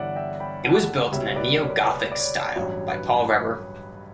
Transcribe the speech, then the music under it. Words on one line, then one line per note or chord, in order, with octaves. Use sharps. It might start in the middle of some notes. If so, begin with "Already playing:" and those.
It was built in a neo-Gothic style by Paul Reber.
Already playing: G1 G2 E3 C#5 D5 E5 F#5
E5 G5
G5 B5
F#5 A5
C#2 B2 G3 C#5 E5
B4 D5
C#5
B4
D5
C#5
A1 G2 F#3 C#5
B4